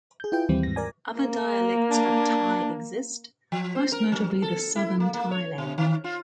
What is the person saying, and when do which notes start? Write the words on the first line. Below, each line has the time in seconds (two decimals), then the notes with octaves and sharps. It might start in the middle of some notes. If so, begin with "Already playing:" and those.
Other dialects of Thai exist, most notably the Southern Thai language.
0.20 G#4 G6
0.32 E4 F4 B4 G5
0.49 D#2 E3 G3 C4
0.63 G#2 A#6
0.76 A#4 D5 G#5
1.18 A#3
1.90 D4
3.52 F3
3.75 C5
3.92 A#4
4.12 F#3
4.42 A4
4.76 E4
5.00 A#3
5.14 A#3
5.31 C#5
5.58 B2
5.78 D#3
6.04 F4